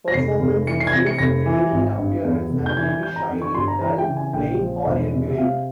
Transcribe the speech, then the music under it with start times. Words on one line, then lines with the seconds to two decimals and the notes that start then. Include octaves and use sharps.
Performance zills vary in appearance and may be shiny, dull, plain or engraved.
0.08 A#6
0.14 F1 C7
0.40 F1
0.67 E3 C#7
0.80 C7
0.87 G#6
0.93 C3 A#6
1.06 C#7
1.19 F1 A#6
1.46 E3
1.72 G#1
1.98 G2
2.25 E2
2.50 F1
2.66 G6
2.76 E3 G#6
2.89 G#6
3.02 E3 G6
3.16 A#5
3.29 F2
3.42 C#6
3.55 G1 C6
3.68 A#5
3.81 E3 A#5
3.98 G5
4.08 C#3
4.17 G#5
4.33 A#1 G5
4.60 F3
4.86 E1
5.12 C3
5.30 E5
5.38 C3 F5